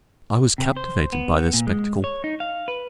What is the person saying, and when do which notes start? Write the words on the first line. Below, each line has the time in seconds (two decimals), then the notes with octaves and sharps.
I was captivated by this spectacle.
0.58 C3
0.77 C5
1.13 B3
1.53 A#2
1.67 G#3
2.04 C#5
2.24 D#4
2.40 F5
2.68 B4